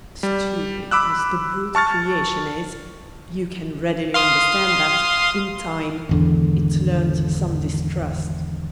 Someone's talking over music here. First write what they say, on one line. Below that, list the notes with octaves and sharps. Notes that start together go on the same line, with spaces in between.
Stupid as the brute creation is, you can readily understand that, in time, it learnt some distrust.
G3
B5 D6 E6 F#6
A5 C#6 F6 A6
F5 C6 D#6
G#1 E2 D3